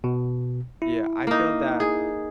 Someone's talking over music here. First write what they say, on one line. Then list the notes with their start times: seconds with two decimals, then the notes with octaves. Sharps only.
Yeah, I feel that
0.04 B2
0.82 E4
1.27 A#3 D#4
1.80 G#4